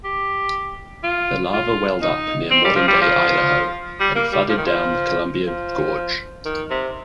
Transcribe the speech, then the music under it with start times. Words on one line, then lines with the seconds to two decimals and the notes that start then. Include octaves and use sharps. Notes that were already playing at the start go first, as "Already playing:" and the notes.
The lava welled up near modern-day Idaho, and flooded down the Columbia Gorge.
0.04 G4
1.03 F4
1.53 F4
2.02 D#4
2.51 C4
2.64 G3
2.76 F3
2.88 G3
3.01 F3
4.00 G3
4.15 A#3
4.32 G3
4.49 F3
4.58 D#3
4.67 F3
5.47 F3
6.45 D#3
6.70 C3